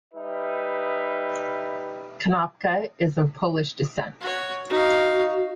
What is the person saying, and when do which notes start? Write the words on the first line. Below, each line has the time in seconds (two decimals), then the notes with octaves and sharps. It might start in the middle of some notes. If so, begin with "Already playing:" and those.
Konopka is of Polish descent.
0.13 G3 D#4 B4 E5
4.21 F#4 C#5
4.70 D#4 F#4 F5